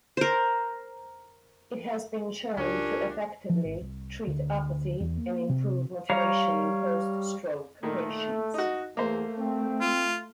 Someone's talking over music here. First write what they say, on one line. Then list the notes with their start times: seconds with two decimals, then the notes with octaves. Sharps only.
It has been shown to effectively treat apathy and improve motivation in post-stroke patients.
0.17 A#4 C5
2.57 C#2 C#4 D4 F4 G4 A#4
3.50 F3
3.65 G#1
3.81 C2
4.27 D2
5.00 E2
5.17 A#3
5.49 C3
6.10 G3 C#5 F5 A#5
7.83 A#2 D#3 A3
8.54 D#4 F#4
8.97 E2 A3 A#3 C5
9.38 C4
9.81 F4